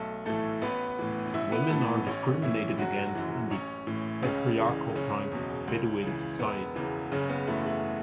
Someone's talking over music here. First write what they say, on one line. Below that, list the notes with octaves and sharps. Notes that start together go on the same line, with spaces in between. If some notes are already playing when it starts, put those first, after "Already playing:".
Women are discriminated against in the patriarchal-type Bedouin society.
Already playing: B1 A3 A4
A2 E3 A3 A4
A1 B3 B4
A2 E3
A1 E4 E5
B3 B4
A2 E3 A3 A4
A1 C#4 C#5
A2 E3 E4 E5
F#1 F#3 F#4
F#2 E3
A1 C#4 C#5
A2 E3
C#2 C#3 C#4
C#3 E3
F#1 C#3 C#4
E2 B2
C#2
C#3 E3
E1 B3
E2 C#3 E3
F#1 C#3 C#4
B3
F#2 E3 A3
A3